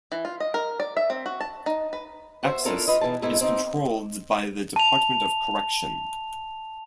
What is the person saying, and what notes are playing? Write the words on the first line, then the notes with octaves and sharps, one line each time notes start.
Access is controlled by the Department of Correction.
E3
F4
D#5
A#4
D5
E5
C4
F#4
A5
D#4
B4
F#4 C5 E5
D4 E4 F4 A4 A#4 F5
F4 B4 D#5
E2 B2 E3 A5
G#2 B2 A3 D#4 E4
C4 D#4
A5 F7